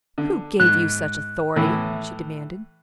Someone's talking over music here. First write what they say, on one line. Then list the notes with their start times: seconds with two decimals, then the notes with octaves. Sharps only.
"Who gave you such authority?" she demanded.
0.18 D3
0.60 G#2 F#6
1.56 A2 E3 E4